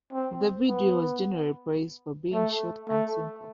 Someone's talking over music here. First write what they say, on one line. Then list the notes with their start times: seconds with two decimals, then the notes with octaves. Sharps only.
The video was generally praised for being short and simple.
0.13 C4
0.67 B3
2.33 A3
2.89 A3